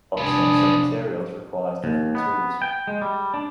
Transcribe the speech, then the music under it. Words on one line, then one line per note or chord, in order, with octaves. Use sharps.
Harvesting some materials requires different tools.
F1 B3 D4 F4 G#5 A5 D#6
D#2
B3
G5
G#3
G3
D4